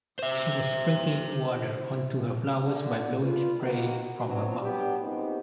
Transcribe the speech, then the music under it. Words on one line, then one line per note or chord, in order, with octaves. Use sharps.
She was sprinkling water onto her flowers by blowing spray from her mouth.
C5 E5
D3
F4 B4
D#3 A#3 B3 F#4
E3 F#3 B3 C4 D4
F#3 G3 B3 D4 G4
A#2 C#3 B3 C4 D#4 G4